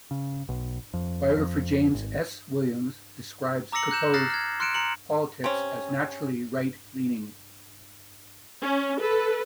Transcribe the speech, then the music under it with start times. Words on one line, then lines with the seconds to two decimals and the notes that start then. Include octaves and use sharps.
Biographer James S. Williams describes Cocteau's politics as naturally Right-leaning.
0.11 C#3
0.49 B1
0.94 F2
1.37 F2
1.94 G#1
3.72 A#5 D6 E6 A#6 C#7 F#7
3.91 F#6 G6 E7
4.14 D#6 F6 F#6 A6 A#6 C7
4.30 F6 G#6
4.60 C6 F6 F#6 C#7 D7 E7
4.74 A#5 C#7 F#7
5.44 C3 C#4
8.60 C#4
9.00 A4 B4